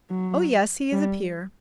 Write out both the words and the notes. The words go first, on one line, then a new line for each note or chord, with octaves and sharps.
"Oh, yes, he is a peer."
F#3
G3